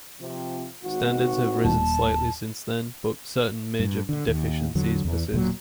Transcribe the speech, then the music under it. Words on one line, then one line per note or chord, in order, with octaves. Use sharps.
Standards have risen slightly since then, but certain major deficiencies persist.
C3 F3
G#1 F#4
D#1 A5
G2
D3
D#2
E2 D3 F#3
E2 E3
E1 A#2 F3 F#3